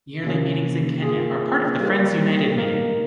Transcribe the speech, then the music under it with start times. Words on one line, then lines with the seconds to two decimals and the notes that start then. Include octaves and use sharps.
Yearly meetings in Kenya are part of the Friends United Meeting.
0.24 C3 D#3 A#3 C#4
1.02 A#3 F4 G#4
1.80 G3 A#3 D#4 G4 C5
2.58 A#3 D#4 A#4